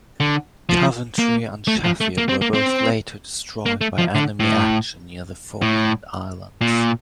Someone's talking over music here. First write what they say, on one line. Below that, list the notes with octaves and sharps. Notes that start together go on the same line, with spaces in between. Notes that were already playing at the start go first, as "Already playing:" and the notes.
"Coventry" and "Sheffield" were both later destroyed by enemy action near the Falkland Islands.
D3
F3
A#3
A3
F3
A3
A#3
C4
A#3
C4
A#3
A3
F3
D3
A2
A2
A#2